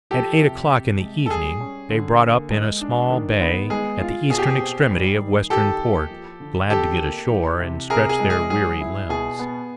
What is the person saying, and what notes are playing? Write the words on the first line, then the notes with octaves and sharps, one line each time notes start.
At eight o'clock in the evening they brought up in a small bay at the eastern extremity of Western Port, glad to get ashore and stretch their weary limbs.
F3 G4 A4
C3
C3
G#3
A4
G3 G#4
C#4
D3
A#3
G#3
D4
D#3
B3
G#3 G#4
F4
B2 G#4
G4
G#4
C4
G3
D#3
D#3 G4 A4
A#3
F3
D3
D3 G4 A4
A#3
E3
C3
C3 G#4 A#4
G#4
G#3
G#4
F#3 G#4
E4
B2 G#4
B3